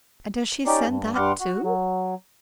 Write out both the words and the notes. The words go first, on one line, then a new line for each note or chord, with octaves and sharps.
"And does she send that too?"
C#4 D#4 G4 D5
G2
G2 G3 F#5 C6 D6 F6
F#4
F#3